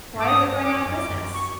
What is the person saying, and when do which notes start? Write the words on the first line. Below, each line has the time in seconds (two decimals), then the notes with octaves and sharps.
Why is it going out of business?
0.15 G#2 D6
0.26 D#6
0.38 G2
0.62 F#2 D6
0.86 F#2
0.98 D6
1.10 F#2
1.33 C#6